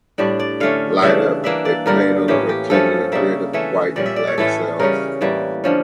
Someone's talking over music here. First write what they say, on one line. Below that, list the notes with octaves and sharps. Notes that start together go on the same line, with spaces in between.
"Light Up" is played on a rectangular grid of white and black cells.
A2 G3 D4
D5
D3 A3 C#4 F5
C#3 E3 G3 D4 E5
E3 A#3 D4 E5
D5
G2 D3 G3 A#4
A2 E3 A#3 C#4 G4
G4
G2 F3 A3 C#4 A4
C#3 G3 A#3 E5
E3 A3 C#4 E5
A#2 G3 C#4 D5
E5
D5
C#5
A2 E3 A3 C#4 A4
C#3 G3 C#4 A#4
A2 E3 G3 A#3
D3 F3 C#4